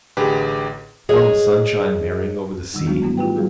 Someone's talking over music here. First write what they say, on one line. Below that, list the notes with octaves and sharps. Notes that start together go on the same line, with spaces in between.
Warm sunshine merrying over the sea.
A1 D3 G4 G#4 B4
G#4 C#5 D#5
D#3 E3 G3 D#4
F#3 G#3 B3 D4 F#4
G#2 F#3 G3 A3 B3 E4
D#4 F4 G4 B4 G5
F#3 G3 A3 F4 F#4 G#4